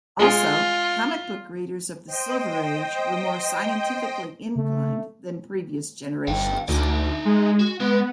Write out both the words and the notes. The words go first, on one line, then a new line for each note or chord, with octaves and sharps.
Also, comic book readers of the Silver Age were more scientifically-inclined than previous generations.
G#3 F4 G#4
C5 D#5 G5
C#3 A3
G1 F5 G5
D2 D#4 D5
G#3
F#4
G#3 B3